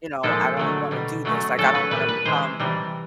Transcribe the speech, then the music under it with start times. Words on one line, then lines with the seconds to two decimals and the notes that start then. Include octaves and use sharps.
you know, I don't wanna do this. Like, I don't wanna become
0.23 A#2 F3 G#3 A4
0.57 D3 F#3 A3
0.91 B2 G3
1.25 C#3 F#3 A3
1.57 C#3 F#3 A3 A4
1.75 B4
1.91 A#2 G3 B4
2.09 B4
2.25 C3 E3 G#3 C5
2.60 C3 E3 G3